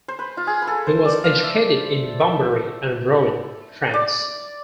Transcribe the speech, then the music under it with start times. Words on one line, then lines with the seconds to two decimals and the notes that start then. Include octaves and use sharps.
He was educated in Bambari and Rouen, France.
0.08 C5
0.19 B4
0.37 F4
0.47 G#4
0.62 B4
0.67 A4
0.87 C5
1.05 D5
1.24 F5
1.44 E5
2.21 E5
3.94 D5